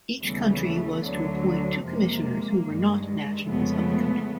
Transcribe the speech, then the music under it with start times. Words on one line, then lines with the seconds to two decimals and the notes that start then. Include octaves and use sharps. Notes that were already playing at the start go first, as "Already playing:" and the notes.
Each country was to appoint two commissioners who were not nationals of the country.
0.20 D#2 C#3 E3 G3 A3 B3
1.02 D2 D3 F#3
1.85 F2 C3 F3 G#3 A#3
2.66 G2 D#3 G#3
3.47 F2 C#3 F3 G#3 A3 B3